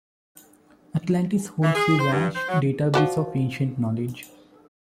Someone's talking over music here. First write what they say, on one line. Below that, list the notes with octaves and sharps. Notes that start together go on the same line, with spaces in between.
Atlantis holds a vast database of Ancient knowledge.
E3
G#4
C5
G2
C5
F#3
F3 F#4 D5